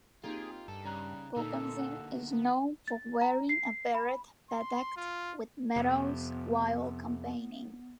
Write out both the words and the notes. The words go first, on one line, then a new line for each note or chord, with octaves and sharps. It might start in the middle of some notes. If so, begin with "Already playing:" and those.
Pokonzie is known for wearing a beret bedecked with medals while campaigning.
A#3 C4 D#4 F4 G4 G#4
G2 A4
C#3 G3 C#4 A#5 F#6
A#2 D3 A#3 D#4 A4
F#5
B3
A6
A#5
C7
B5
C6
F4
F2 C3 B3